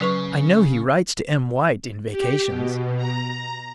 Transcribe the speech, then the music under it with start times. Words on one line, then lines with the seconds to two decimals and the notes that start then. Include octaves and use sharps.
I know he writes to Em White in vacations.
0.01 C#3 F#3 B4 C#6
2.12 G4
2.48 B2
2.97 A#5